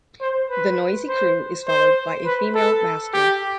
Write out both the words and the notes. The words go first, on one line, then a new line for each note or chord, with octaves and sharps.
The noisy crew is followed by a female masker.
C5
B4
C5
C5
B4
A4
G4